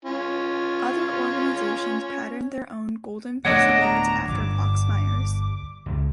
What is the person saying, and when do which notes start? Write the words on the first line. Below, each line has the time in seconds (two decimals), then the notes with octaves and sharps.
Other organizations patterned their own "Golden Fleece Awards" after Proxmire's.
0.05 C#4 F4
3.45 D1 A3 B3 D4 C#5 D#5 F#5
3.81 A#5
4.28 G1 G2 G3 D6
5.86 C#2